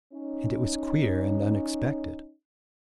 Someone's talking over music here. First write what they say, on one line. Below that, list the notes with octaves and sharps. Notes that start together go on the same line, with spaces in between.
And it was queer and unexpected.
C#4 D#4